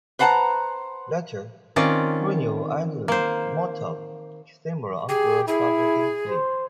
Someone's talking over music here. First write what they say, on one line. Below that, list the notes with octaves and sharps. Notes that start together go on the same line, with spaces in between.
Later, Guionneau added multiple camera angles during game-play.
B4 C5 F#5 A5 A#5
D#3 C4 C#4 F4 D5
A#3 C5
G4 G#4
E4 G#4
C5